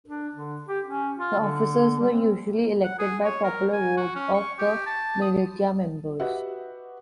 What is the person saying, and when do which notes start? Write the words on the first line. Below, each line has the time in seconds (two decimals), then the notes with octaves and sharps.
The officers were usually elected by popular vote of the militia members.
0.07 D4
0.35 D3
0.68 G4
0.86 C#4
1.19 F4
1.40 D3
1.99 G3
2.11 C4
2.84 F#5
2.99 G#4
3.24 C#5
3.44 A#4
3.72 G#5
3.97 F#4
4.16 C#4
4.34 C#6
4.59 G4
4.86 A5
5.21 D#6
6.20 F#4 G4 B4 D#5 E5 F#5